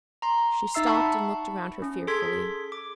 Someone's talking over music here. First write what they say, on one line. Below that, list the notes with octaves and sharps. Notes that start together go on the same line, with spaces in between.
She stopped and looked around her fearfully.
A#5 C6
D#4 E5 E6 C7
F#5 A5 B5 C#6
C#4
G#4 A4 C6 G#6 B6
D6